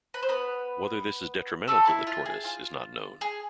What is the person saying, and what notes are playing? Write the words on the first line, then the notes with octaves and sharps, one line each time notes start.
Whether this is detrimental to the tortoise is not known.
B4
C5
B3 B4
A3 A4
E4
F4
G#4
F4
G#4